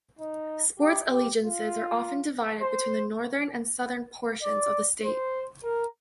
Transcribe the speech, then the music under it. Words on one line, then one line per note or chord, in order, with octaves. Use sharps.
Sports allegiances are often divided between the northern and southern portions of the state.
D#4
G4
G4
F4
C5
D5
C5
A#4